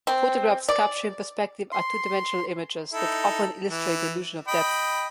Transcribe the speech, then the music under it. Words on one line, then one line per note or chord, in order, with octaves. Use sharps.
Photographs capturing perspective are two-dimensional images that often illustrate the illusion of depth.
C4
D5
C6
D#4 E4 A4
E3
D#5 G5 B5